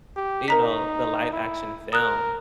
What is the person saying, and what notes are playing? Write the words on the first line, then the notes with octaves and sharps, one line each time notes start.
you know, the live action film.
G4
D#4 A#4 A#5 B6
E4
A#4 D#6 F#6